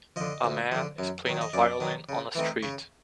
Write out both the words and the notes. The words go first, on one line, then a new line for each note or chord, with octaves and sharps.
A man is playing a violin on a street.
D3 F3 D#5
D2
D3 F3
F#2
D#3 F#3
D#5
F#2 D5
D#3 F#3
C#3
E3 A3 C4 D#4
C#3 C#5